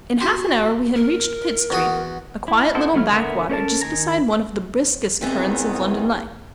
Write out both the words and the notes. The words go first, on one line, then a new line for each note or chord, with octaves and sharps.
In half an hour we had reached Pitt Street, a quiet little backwater just beside one of the briskest currents of London life.
F#4 G4 C6
A#4
E2 F#4 D#6
E4
B3 E4 A4 C5
F3 F#3 A3 E4 F6
D3 B3 A#4 E5
C#4 A4 A#4 A5
D#3 G#5 A#5
E2 G#2 C3 D#3 E3 B3